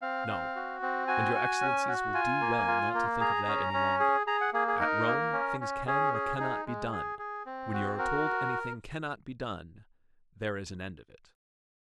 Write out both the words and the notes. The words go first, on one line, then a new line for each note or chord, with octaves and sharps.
"No; and your excellencies will do well not to think of that any longer; at Rome things can or cannot be done; when you are told anything cannot be done, there is an end of it."
C4 F5
C4
F#4
C4
F#4 G#5
F#4
C#4
F#4
F4 G#5
A#3
F4
A#3
G#4 A#5
C#4
C#4
G#4
G#4 A#5
F#5
A#3 G#4
G#4
D#4 A#4
A#3
C#4
C#4
C#4 G#4
G#4
D#4
G#3
G#4
G#4
C4
F#4
F#4 A#4